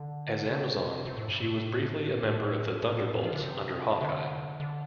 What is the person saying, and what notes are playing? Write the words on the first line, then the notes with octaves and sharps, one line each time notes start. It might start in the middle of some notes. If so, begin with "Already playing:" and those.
As Amazon, she was briefly a member of the Thunderbolts under Hawkeye.
Already playing: D3
C3
C3
A2
G2
A2
A2
A2
F3
D3
C3
D3
D3